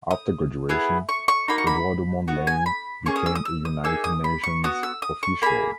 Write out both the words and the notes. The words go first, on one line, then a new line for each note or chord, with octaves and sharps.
After graduation, Eduardo Mondlane became a United Nations official.
D#6
B3 E4 G#4
C#6
C#6
A#3 D#4 F#4 B5
C#6
B5
B3 F#4
G#5
B5
A#3 C#4 G#4 C#6
D#6
E6
D#6
E6
D#6
A#3 D#4 G#4 E6
D#6
B5
C#6
B3 F#4 D#6
E6
D#6
C#6
A#3 E4 G#4 B5